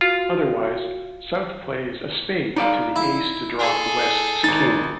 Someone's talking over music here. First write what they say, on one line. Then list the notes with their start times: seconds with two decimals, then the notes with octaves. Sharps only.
Otherwise, South plays a spade to the Ace to drop West's King.
0.01 F4 F#4
2.56 D#4 D5 F5
2.96 E4
3.59 G#4 A4
4.44 G#1 D#4 A5 A6